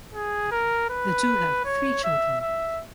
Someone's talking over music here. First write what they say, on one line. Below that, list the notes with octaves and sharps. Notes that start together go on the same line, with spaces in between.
The two have three children.
G#4
A#4
B4
C#5
E5
E5